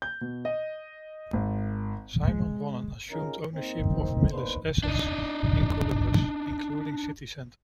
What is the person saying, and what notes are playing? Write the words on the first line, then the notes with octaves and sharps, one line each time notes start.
Simon won and assumed ownership of Mills' assets in Columbus, including City Center.
G6
B2
D#5
G#1
G#3
D#2 C#4 D#4 F4 G#4 A#4
A#3 C4 D#4
A#3 B3 D4 D#4 B4 C5
D4 D#4